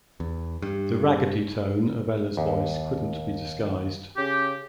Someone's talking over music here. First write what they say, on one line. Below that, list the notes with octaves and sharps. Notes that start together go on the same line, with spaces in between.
The raggedy tone of Ella's voice couldn't be disguised.
E2
G2
D#2
C#3 C#4 G4